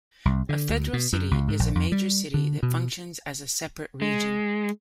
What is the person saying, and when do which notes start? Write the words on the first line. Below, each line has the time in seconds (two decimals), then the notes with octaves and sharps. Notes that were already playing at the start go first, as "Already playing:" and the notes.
A federal city is a major city that functions as a separate region.
0.25 C2
0.49 D3
0.69 D2
0.93 B2
1.13 F#2
1.31 C#2
1.48 G#2
1.59 A#1
1.75 F2
1.92 G3
2.34 D3
2.63 B2
4.02 G#3